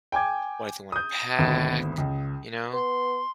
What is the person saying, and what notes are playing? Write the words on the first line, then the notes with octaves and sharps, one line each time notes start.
What if they wanna pack, you know?
G5 G#5 D6 G#6
D#6 G6
G#1 D2 B3 E7
C#2
B3 C6